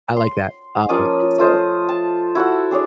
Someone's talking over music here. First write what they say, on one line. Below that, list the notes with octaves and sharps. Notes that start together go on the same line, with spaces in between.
I like that, um, and, so,
C6
F3 A#3 C#4 D#5
A3 F4 C5 D#5
A5
E4 F#4 A4 F#5
D4 G#4 C#5 D5